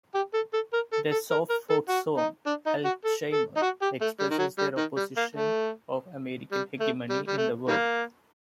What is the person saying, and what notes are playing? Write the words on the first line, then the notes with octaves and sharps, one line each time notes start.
Their soft folk song, "Alzheimer" expresses their opposition of American hegemony in the world.
G4
A4
A4
A#4
A4
A4
A#4
A#4
A4
F#4
D#4
D4
D#4
F#4
A4
A4
D#4
F#4
G4
A3
G3
D#3
F#3
G3
D#3
G3
A#3
A3
G3
A3
G3
G3
A3
D#3 G3 A#3